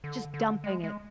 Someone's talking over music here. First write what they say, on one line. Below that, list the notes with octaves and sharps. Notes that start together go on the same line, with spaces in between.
just dumping it?
D3
D3
G#3
G#3